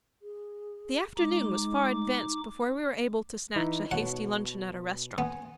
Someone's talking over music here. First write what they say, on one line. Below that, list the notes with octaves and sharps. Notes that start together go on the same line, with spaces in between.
The afternoon was far advanced before we were able to snatch a hasty luncheon at a restaurant.
G#4
G#3 D#4 D6
E3 D#4 E4
B2 C#5 F#5 A5
B3 G#5